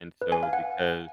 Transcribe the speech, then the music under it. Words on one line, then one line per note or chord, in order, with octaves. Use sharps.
And so, because,
B4
G#5
F5
F#5